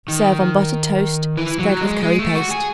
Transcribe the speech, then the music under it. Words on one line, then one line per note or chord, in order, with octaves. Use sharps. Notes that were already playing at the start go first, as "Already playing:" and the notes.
Serve on buttered toast, spread with curry paste.
D#3
E3
F#3
G#3
G#3
A3
F#4
G#4